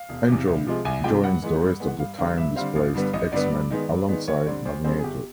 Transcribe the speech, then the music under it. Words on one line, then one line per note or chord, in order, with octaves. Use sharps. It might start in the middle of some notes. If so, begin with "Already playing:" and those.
Angel joins the rest of the time-displaced X-Men alongside Magneto.
Already playing: F5
E1
E2 C3
C2
C3 F3 G#3
C2 G#5
C3 F3 G#3 G5
G2 F#5
E3 G#3 B3
G2
E3 G#3 B3
F#5
G2 F5
D3 G3 C4 F5
G2 E5
D3 G3 C4 F5
A1
G2 D3 G3 B3
A1 D#5
G2 D3 G3 B3 D5
G2
D#3 G#3 B3
G2
D#3 G#3 B3
D2 C#5
D3 G3 C4 D5
D2 C5
D3 G3 C4 G#4
G#4
G1 G4